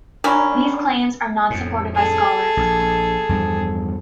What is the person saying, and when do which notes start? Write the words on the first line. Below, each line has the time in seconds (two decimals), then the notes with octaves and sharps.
These claims are not supported by scholars.
0.24 D#3 F#3 C#4 D4 B5 A#6 B6
1.50 F2 A2
1.95 G#4 A4
2.57 A#1
3.29 E2 G2 F3